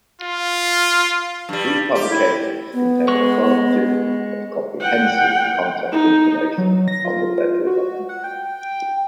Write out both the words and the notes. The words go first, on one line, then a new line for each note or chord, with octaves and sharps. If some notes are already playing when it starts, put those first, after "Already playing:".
These publications contain authoritative and comprehensive contact information on the federal government.
F4
G2 G3
G4
E4
B3
G#3 C#6
F#5 G5
D#4
F#3
A#6
F4
F#4
F#5
G5